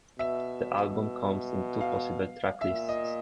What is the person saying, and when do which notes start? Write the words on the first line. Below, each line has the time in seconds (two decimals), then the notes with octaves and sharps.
The album comes in two possible track lists.
0.19 B2 E5
1.81 F5
2.61 A#2 E5
2.89 D#5